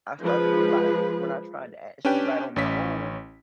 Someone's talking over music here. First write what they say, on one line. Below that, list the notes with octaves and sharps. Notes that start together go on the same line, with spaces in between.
I started realizing when I tried to actually write on my own,
F3 G#3 G#4 B4
C#4 D4 G4 B4 G5
A1 C#4 B6